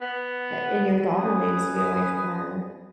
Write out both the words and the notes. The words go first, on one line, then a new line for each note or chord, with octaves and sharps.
a and your daughter needs to be away from her.
B3
D#2 C#4 B4 G#5 D#6